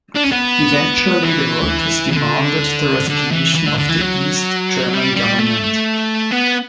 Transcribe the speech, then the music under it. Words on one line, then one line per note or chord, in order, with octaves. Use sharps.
Eventually, the workers demanded the resignation of the East German government.
D4
C#4
B3
E3
E3
D3
D3
E3
E3
D3
D3
E3
F#3
G3
G3
A3
B3